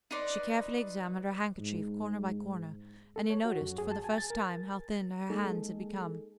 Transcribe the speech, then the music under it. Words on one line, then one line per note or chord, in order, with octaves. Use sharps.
She carefully examined her handkerchief corner by corner, and he noticed for the first time how thin her hands had become.
D#4 B4 D5 C6
G#2
A4
C#5
F#4
F#2
G#4
A5
G#5
A6
A#4
G#3 A#3 D#4 G#4 A4